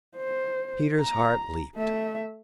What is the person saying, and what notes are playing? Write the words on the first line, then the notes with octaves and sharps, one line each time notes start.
Peter's heart leaped.
C5
A#5
A3 E5